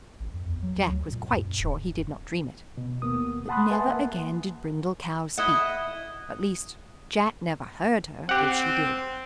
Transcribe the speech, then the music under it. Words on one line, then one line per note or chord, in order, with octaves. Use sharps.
Jack was quite sure he did not dream it, but never again did Brindle Cow speak--at least, Jack never heard her if she did.
A1
F2
E2
F#3
D2
A#2
F#2
D1
B2
D#2 A#3 B3 D#6
F#5 A5 B5 C6 D#6 F#6
B4 E5 F#5 G#5 A5 C6
A#3
E4 D#5 F#5
C4 G4 F#5